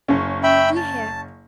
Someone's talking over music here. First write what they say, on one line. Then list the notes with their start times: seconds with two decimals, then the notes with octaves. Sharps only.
Do you hear?
0.08 F#1 C#4
0.43 E5 G5 B5
0.76 A5